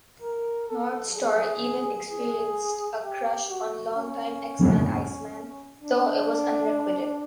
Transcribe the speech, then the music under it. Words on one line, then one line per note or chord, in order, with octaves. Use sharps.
Northstar even experienced a crush on long-time X-Man Iceman, though it was unrequited.
A#4
A4
G#4
G#4
G4
F#4
C#4
D4